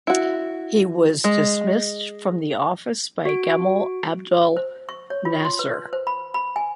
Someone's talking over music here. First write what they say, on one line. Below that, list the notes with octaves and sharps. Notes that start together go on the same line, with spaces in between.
He was dismissed from the office by Gamal Abdel Nasser.
E4 F#4
G#3
F#4 D7
C5
C#6
C#5
F4
C6
B4
C5
B5
B5
G#5